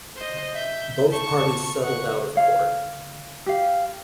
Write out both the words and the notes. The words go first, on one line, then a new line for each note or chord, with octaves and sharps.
Both parties settled out of court.
C5 D#5
E5 G6
A5 C#6
F#5 C#6
C#5 F5
G4 F5